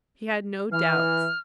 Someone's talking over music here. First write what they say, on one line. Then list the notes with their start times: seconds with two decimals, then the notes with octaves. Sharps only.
He had no doubts.
0.72 E3 F6